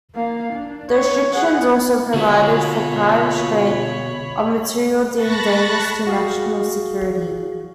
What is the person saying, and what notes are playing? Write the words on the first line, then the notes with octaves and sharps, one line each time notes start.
The restrictions also provided for prior restraint of material deemed dangerous to national security.
A#3 F5
D4
C#5
G#4 F#5
B3
B2 D3 F4 F#4 C#5 B5
A5 B5 C#6 F#6 A6 A#6
F#4 G#4 F5